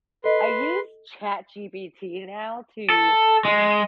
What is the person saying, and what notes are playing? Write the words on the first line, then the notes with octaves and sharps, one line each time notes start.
I use ChatGPT now to
A4 B4 D#5 C6
A4
G#3